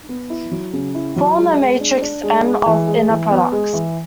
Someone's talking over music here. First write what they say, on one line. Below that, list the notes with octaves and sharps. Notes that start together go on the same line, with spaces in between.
Form the matrix "M" of inner products.
B3
E4
F#3
C#3
E4
F#3
G#3
G#3
D4
D4
G#3
G#3
E3
G#3
E3
B3
G#3
E3